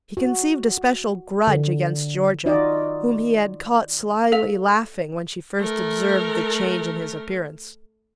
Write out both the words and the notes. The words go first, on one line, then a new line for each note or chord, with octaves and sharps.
He conceived a special grudge against Georgia, whom he had caught slyly laughing when she first observed the change in his appearance.
F#4
D3
D#3 D#4 F4 F#4 D5 D#5
A4 F5 F7
A3 A#4